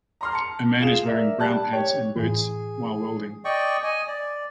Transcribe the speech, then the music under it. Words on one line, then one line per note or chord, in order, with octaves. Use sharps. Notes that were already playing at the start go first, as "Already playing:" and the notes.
A man is wearing brown pants and boots, while welding.
A#5 C6 F6
A5 C#7
F4 G#4 E7 F7
A#4 D5 E5
G3 A5 F#6
G4 C#5
A2 E3 G#4
D5 D#5 G5 C#6
D#5 G#5
D5